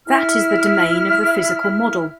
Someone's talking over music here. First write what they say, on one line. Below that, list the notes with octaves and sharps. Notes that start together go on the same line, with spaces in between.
That is the domain of the physical model.
E4 F6